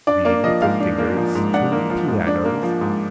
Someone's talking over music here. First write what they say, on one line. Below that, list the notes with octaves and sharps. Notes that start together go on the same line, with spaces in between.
Read with their fingers. Tune pianos.
D4 D5
A#3 D5
F3 D#5
G#2 F5
D4
A#3
F3
G#2
D4 F#5
A#3
F3
G#2
D4
A#3
F3
G#2